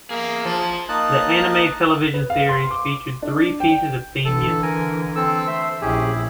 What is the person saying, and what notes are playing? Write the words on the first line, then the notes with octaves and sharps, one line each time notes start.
The anime television series featured three pieces of theme music.
A#3 G#4 E5
F3 A5
A#3 D#4 D#5 A5 F#6
B4
F5
C6
D6
D4
G5
D3 E3 A4
A#4 G#5
C4 A4 E6
A3 C5 E5
A#1 C#4 E4 G4 G#4